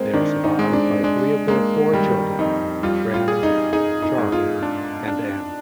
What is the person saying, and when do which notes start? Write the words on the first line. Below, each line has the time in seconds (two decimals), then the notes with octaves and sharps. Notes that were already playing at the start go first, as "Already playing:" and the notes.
They are survived by three of their four children, Graham, Charles, and Ann.
Already playing: G#3 A#3 C4
0.13 D#3 D4
0.44 D#4
0.59 G#3
0.73 D4
1.03 G#3 D4
1.48 G#3 A#3
1.93 D#3 G3
2.39 F2 D#4
2.83 G3 F4
3.14 F4
3.28 G#4
3.43 D#4
3.73 D#4 G#4
4.02 D#4
4.18 G#2
4.32 F4
4.63 D4
5.08 D4